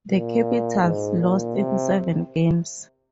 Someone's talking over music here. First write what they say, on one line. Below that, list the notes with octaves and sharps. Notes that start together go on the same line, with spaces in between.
The Capitals lost in seven games.
A#2
G#2
A#2
C3